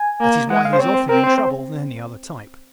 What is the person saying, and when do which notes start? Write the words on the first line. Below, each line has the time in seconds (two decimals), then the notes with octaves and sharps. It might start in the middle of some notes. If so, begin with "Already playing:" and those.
That is why he is oftener in trouble than any other type.
Already playing: G#5
0.20 A#3
0.50 G#3 F#5
0.65 F5
0.73 C5
0.79 C4 C#5
0.94 C5
1.09 C4 A#4
1.24 C5
1.38 C5